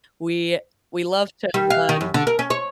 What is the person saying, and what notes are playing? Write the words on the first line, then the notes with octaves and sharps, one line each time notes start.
we we love to run
G3
F5
D#3
F#2
D3
A#4
C#4
C#5